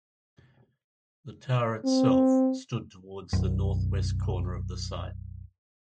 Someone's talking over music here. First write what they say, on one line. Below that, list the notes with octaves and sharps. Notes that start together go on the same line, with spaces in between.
The tower itself stood towards the north west corner of the site.
C4
B1 F#2